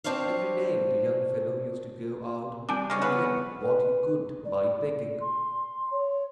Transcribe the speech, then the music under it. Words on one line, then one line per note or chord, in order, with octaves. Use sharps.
Every day the young fellow used to go out and get what he could by begging.
C4 D4 C5 C#5 F5
G3 C4 D4 G#5 A5 D6
G#3 C#4 D5 C#6 F6
B3 E4 B4 C#5
B4
D5
C6
C#5